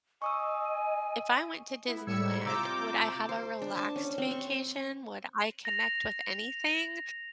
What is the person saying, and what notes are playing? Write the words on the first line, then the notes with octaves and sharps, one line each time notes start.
if I went to Disneyland, would I have a relaxed vacation, would I connect with anything?
D#5 G#5 C#6 D#6 E6
B3 E4
A2 G3 E6 G#6 C#7
C3 F4 A#5 D6 E6 G6
C5
D4
A5
C#4
C4
C#6
A#6 F7